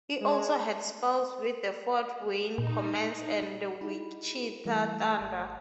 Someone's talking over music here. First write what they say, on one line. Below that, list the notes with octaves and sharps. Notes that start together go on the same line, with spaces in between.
He also had spells with the Fort Wayne Komets and the Wichita Thunder.
G#3
A#2 D#4
D#4 E4 F#4 G#4 B5
E3 G3 A3 A#4 E5
G#1 F#6